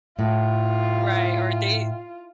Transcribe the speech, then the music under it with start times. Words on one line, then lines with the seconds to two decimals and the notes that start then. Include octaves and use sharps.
Right, or they
0.19 A2 F4